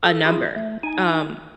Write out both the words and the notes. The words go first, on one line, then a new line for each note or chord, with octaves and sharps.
a number. Um,
A4
E4 F4 G#4
A3
D#4 G#5